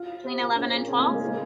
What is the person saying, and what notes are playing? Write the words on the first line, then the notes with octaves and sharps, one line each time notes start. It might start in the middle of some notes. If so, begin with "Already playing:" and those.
Between eleven and twelve?
Already playing: F4
C3
A#2
G#2 C#4
A#2
C#3 C4
A#3
G#3
A#3
G#3